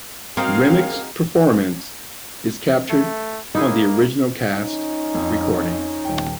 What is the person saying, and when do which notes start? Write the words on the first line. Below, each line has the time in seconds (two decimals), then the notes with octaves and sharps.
Remick's performance is captured on the original cast recording.
0.37 A#3 C4 D#4 F#4 G#4 D#5 F5 G5
2.90 A3
3.55 A#3 D#4 E4 G#4
4.52 F3 C#4 D#4
5.15 F2
6.05 D#1 G5